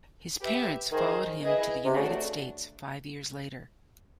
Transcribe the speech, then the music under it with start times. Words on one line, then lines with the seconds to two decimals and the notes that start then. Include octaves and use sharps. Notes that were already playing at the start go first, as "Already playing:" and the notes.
His parents followed him to the United States five years later.
0.40 G4 B4 E5
0.91 D#3 G#4 C5 D#5
1.44 E4 G#4 B4 D#5
1.85 C3
1.96 C#3 A3 D4 F#4